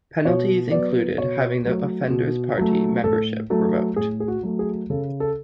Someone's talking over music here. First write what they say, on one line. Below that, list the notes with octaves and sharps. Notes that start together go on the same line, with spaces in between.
Penalties included having the offender's party membership revoked.
B2 C#5
F#3 B3 D5
B2 C#5
F#3 A3
B2
F#3 A3
A2 A4
F#3 A3 A4
A2 G#4
G#4
F#4
F#3 A3
G#4
C#3 A4
A4